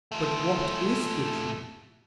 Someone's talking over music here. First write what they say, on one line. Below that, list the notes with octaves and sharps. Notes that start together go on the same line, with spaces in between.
"But what is the truth?"
F3 A3